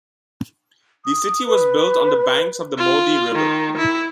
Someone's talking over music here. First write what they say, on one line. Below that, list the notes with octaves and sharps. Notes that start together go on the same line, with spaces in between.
The city was built on the banks of the Modi River.
D#6
B4
F4
D#3
E4